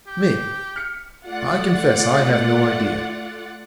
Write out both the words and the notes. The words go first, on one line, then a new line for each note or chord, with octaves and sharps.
ME: I confess I have no idea..
G4
F6 B6 C#7
A3 F4 D5 F#5